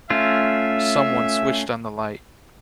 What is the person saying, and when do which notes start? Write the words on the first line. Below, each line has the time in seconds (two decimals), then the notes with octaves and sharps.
Someone switched on the light.
0.10 A3 C#4 F4 E5